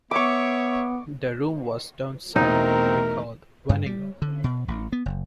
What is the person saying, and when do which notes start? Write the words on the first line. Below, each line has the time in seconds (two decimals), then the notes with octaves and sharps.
"The room was stone silent," recalled Veninger.
0.11 B3 C#5 E5 C#6 D6
2.36 E2 B2 A3 C4 D#4 A#4
3.69 G2
3.86 G3
4.22 D3
4.44 B2
4.68 A1
4.92 B3
5.06 F#1